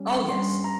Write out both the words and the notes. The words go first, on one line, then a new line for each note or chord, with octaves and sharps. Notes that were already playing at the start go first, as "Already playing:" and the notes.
Oh, yes.
Already playing: G3 C#4
C#6
G2 G3 C#4 C6
A#5